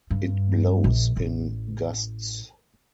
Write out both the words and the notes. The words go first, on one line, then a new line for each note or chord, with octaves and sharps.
It blows in gusts.
G2
A#1
A1